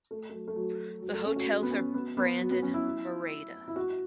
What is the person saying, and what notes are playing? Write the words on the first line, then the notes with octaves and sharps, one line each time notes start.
The hotels are branded Mirada.
A3
A3
F#3
A3
F#3
F#3
A3
C#4
F#4
F#4
B3
C#4
B3
B3
F#3
B3
C#4
E4
E4
F#4